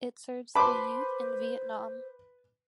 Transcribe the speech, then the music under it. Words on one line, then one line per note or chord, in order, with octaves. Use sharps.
It serves the youth in Vietnam.
B4 C5 A5 B5 C6 D6